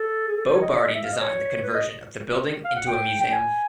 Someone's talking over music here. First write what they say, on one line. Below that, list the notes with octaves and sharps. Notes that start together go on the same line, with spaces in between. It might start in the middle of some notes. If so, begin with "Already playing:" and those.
Bo Bardi designed the conversion of the building into a museum.
Already playing: A4
G#4
A4
C5
C#5
D#5
E5
F5
D#5
C#5
B4
D#5
F5
F#5
G5
G5
G#5